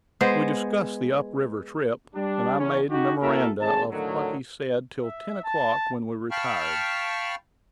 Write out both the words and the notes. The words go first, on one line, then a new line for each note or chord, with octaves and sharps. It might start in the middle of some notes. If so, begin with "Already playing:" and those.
We discussed the up-river trip, and I made memoranda of what he said till ten o'clock, when we retired.
G#3 B3 C5
G3 D4
E2 C#4
D#4 F#4 G4
A#3 E4 F#4 A4 A#4 E5
G#1 D2 G#4 A5
A2 D3 D#3 F3 F#3
E5
A5
F5 G5 A5 B5 C#6 F6